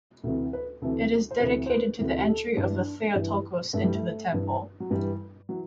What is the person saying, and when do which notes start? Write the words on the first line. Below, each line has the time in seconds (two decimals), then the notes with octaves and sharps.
It is dedicated to the Entry of the Theotokos into the Temple.
0.24 D2 C3 E3
0.53 B4
0.82 D2 C3 E3 A4
1.31 C5
1.40 D2 C3 E3 B4
1.66 C5
1.70 B4
1.99 D2 C3 E3
2.18 G4
2.28 A4
2.57 G2 E3 D4
3.15 G2 E3
3.73 G2 E3 A3
3.84 G3
3.94 A3
4.32 G2 E3
4.80 F#3
4.90 G2 E3 G3
5.49 E3 F#3